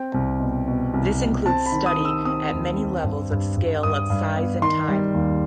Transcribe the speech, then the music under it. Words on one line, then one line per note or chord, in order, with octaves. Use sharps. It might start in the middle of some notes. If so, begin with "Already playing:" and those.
This includes study at many levels of scale of size and time.
Already playing: C4 G5
C2
B2
B2
C2
B2
C4 A5
B5
D#3
D#6
D#3
E6
C4 D#6
D#2
C4
G2
G2
G2
G2 D#6
G2
B3
D#3 C6
G3
D#2